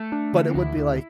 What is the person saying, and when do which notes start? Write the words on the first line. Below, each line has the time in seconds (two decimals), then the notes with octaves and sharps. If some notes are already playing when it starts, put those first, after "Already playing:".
but it would be like
Already playing: A3
0.12 D4
0.33 D3
0.55 D2 E4
0.76 D2